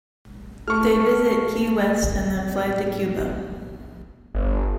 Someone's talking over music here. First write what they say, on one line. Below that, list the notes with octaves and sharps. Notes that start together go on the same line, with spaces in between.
They visit Key West and then fly to Cuba.
A3 C#6 F6
G1